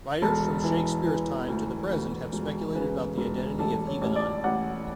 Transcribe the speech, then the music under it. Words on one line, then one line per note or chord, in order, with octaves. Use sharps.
Writers from Shakespeare's time to the present have speculated about the identity of hebenon.
E1 A4
E3
E3
D2
D2
E1
C#3 B4
E1
A1 A4
C#5
A1
D5
A1 F#5